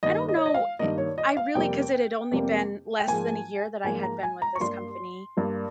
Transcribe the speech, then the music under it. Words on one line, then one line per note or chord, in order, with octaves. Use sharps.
I don't know I I really 'cause it had only been less than a year that I had been with this company.
G2 D#3 A#3 D#5
D#5
C#5
D#5
F5
G2 D#3 A#3 D#5
C#5
D#5
F5
F2 C3 G3 A#3 G5
F2 C3 G3 A#3
G5
G#2 F3 A#3 G#5
G#2 F3 A#3 G#5
A#5
G#5
A#5
C#6
G2 G3 A#3 C6
G2 G3 A#3